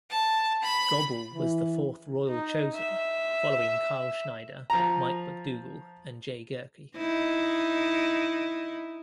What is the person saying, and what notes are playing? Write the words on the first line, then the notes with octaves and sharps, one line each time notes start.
Gobble was the fourth Royal chosen, following Kyle Snyder, Mike MacDougal, and Jay Gehrke.
A5
B5
E3
D#4
E5
F3 A#5
D#4 E4